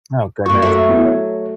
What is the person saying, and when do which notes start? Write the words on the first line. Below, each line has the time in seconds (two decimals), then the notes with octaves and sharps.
Oh goodness.
0.46 F#2 A#3 F#4 C#6
0.62 F#3 A3 E5
0.89 B3 E4
1.05 C#5